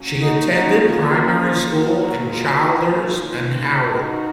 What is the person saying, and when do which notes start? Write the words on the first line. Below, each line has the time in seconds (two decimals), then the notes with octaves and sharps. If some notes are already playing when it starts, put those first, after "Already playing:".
She attended primary school in Childers and Howard.
Already playing: F#3 A#3 C#4
0.21 D#4 F#4
0.50 D#3 A#3 C#4 D#4 F#4
0.80 F4 G#4
1.10 F#4 A#4
1.40 F4 G#4
1.70 D#3 F#3 A#3 F#4 A#4
1.99 F#4 A#4
2.29 F4 G#4
2.58 D#4 F#4
2.88 D#3 A#3 C#4 F4
3.77 D#4 F#4